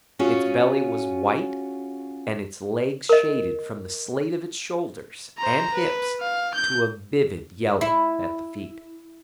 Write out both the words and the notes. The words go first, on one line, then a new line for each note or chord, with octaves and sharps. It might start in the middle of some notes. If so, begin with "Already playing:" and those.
Its belly was white, and its legs shaded from the slate of its shoulders and hips to a vivid yellow at the feet.
C#4 F4 F#4 G#4
A#4 D#5
C5 A#5
B4
F5
G6
E4